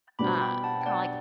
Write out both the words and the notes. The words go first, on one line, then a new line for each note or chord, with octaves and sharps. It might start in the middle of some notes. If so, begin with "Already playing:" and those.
Uh, kinda like
B2 G3 D4 F#4 C5 B5 D6
G5 B5
F#5 A5
G5
D5 F#5